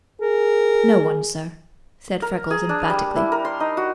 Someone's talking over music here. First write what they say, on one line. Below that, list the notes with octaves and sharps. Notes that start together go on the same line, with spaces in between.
"No one, sir," said Freckles emphatically.
G#4 A#4
A#4
G#4
D4
G3
E4
A#4
C6
D#4
F#4